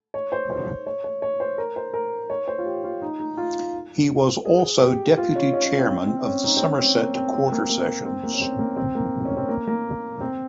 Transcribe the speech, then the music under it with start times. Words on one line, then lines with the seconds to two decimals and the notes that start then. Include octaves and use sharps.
He was also Deputy Chairman of the Somerset Quarter Sessions.
0.14 C#5
0.32 C5
0.50 C5
0.86 C#5
1.04 C#5
1.22 C#5
1.40 C5
1.58 A#4
1.76 C5
1.93 A#4
2.30 C#5
2.48 C5
2.59 F4
2.66 G4
2.84 F4
3.02 D#4
3.20 D#4
3.37 F4
4.45 G#4
4.81 G4
5.17 F4
5.36 C#4
5.53 C#4
5.65 C#4
5.78 C4
5.89 C4
6.07 C4
6.26 C#4
6.44 D#4
6.57 C4
6.62 C#4
6.79 C4
6.97 A#3
7.15 C4
7.33 C4
7.51 A#3
7.69 A#3
8.05 C4
8.23 A#3
8.34 C#4
8.41 C4
8.59 A#3
8.76 C4
8.95 A#3
9.25 C#4
9.37 C4
9.49 A#3
9.67 A#3
10.21 C4